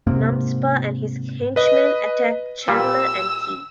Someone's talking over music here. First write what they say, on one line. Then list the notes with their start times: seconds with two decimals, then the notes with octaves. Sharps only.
Numspa and his henchmen attack Chandler and Kee.
0.07 G#2 C3 A#3
1.56 B4 D#5
2.68 A#2 G3 E6